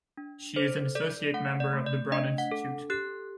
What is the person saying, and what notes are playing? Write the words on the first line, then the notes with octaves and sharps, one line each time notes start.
She is an associate member of the Broad Institute.
D4
A4 C5
A4 D5
A3 F#5
D5
A3
D5
D4 D#5
F#5
A4
G4 F#6